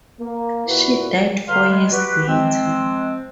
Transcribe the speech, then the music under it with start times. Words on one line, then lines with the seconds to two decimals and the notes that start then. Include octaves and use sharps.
She died four years later.
0.21 A#3
0.67 A#2 E4 F#4 B4
1.48 D3 F#3 B4 F5 C6 F6
1.69 G3 G#3
1.92 F#4 G4 B4
2.28 F3 G#3 C4